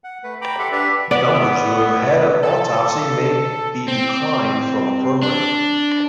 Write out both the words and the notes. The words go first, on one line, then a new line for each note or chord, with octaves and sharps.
Donors who have had an autopsy may be declined from a program.
F#5
A3 B4
G5 A#5 B5 D6
G4 A4 E5 F#5 C6
D4 G4 B4 D5 E5
B3 D5
A4
C4
D4